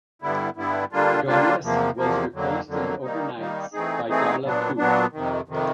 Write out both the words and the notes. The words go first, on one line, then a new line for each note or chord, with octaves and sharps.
Garnes was replaced in overnights by Darla Coop.
G2 D3 G3 B3 E4
G2 D3 G3 B3 E4
D3 G3 A#3 D4 F4
D3 G3 A#3 D4 F4
E2 C3 F3 A#3
E2 C3 F3 A#3
F2 D3 F#3 A#3
F2 D3 F#3 A#3
D#3 G3 A#3 D#4
D#3 G3 A#3 D#4
E3 A3 C4 D#4 G#4
E3 A3 C4 D#4 G#4
A#2 F#3 B3 D4
A#2 F#3 B3 D4
F2 C3 D#3
F2 C3 D#3